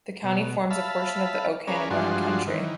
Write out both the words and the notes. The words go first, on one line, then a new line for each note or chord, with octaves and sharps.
The county forms a portion of the Okanogan Country.
B2
E5 F5 A5 B5
C#4 G#4 A#4 B4 D5
G2 F3 G#3 D4 F#4 C6
D#3 E3